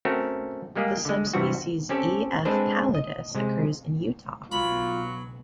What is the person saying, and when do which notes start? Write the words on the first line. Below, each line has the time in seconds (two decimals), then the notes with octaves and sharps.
The subspecies "E. f. pallidus" occurs in Utah.
0.05 A3 C4 C#4 F#4 A#4
0.75 G3 G#3 A#3 G4 G#4
1.05 D3 G#3
1.34 G2 C3 E3 G3 F#4
1.89 C4 C#4 G4 A4
2.45 G#3 C4 D4 A4 B4 C5
2.95 D#5
3.35 C3 G#3
4.52 B1 F#3 B3 F4 B5